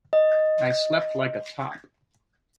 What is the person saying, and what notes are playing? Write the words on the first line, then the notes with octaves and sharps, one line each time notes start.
I slept like a top.
D#5